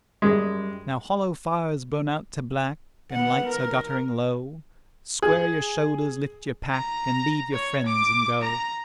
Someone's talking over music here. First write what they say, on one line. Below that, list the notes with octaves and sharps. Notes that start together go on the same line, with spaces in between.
Now hollow fires burn out to black, And lights are guttering low: Square your shoulders, lift your pack, And leave your friends and go.
F#2 G3 G#3
B3 F#5
A#4
G#4
A#5
C#5
D6
A#5